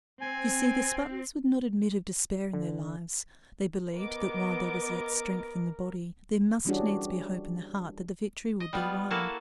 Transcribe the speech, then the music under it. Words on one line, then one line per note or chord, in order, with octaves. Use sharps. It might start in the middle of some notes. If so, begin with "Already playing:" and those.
You see, the Spartans would not admit of despair in their lives; they believed that while there was yet strength in the body, there must needs be hope in the heart that the victory would be won.
C4 G#5
D3
B3 A#4 D#5 D6
E3 G3 C#4 D4 F#4 G#4
D#5
G3 B3 F4
A#3 E4 F#4 A4 F5